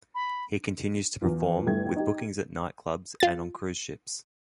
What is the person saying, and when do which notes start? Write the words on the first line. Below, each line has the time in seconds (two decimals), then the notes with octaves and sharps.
He continues to perform, with bookings at night clubs and on cruise ships.
0.15 B5
1.22 E2 F4
1.66 G1 G3 A3 E4 G#6
1.96 D#4 G4
3.20 F4 A6